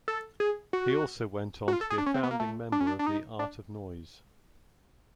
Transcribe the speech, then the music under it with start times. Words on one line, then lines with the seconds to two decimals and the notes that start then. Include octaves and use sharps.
He also went on to be a founding member of the Art of Noise.
0.08 A4
0.40 G#4
0.73 F#4
1.68 F#4
1.73 F4
1.81 A4
1.90 G#4
1.98 D4
2.06 C#4
2.14 C4
2.23 B3
2.31 A#3
2.40 A3
2.72 D4
2.80 C#4
2.87 D4
2.99 D4
3.07 D#4
3.39 D4